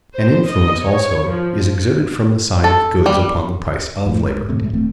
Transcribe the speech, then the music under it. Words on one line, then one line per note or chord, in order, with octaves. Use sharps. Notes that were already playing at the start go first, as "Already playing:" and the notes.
An influence also is exerted from the side of goods upon the price of labor.
C5
D#5
C#5
F3
A4
G3
F2 A2
G#2
D#2 A2 C3
G#2 C3 G#3 A3
D1 E3 A3 C4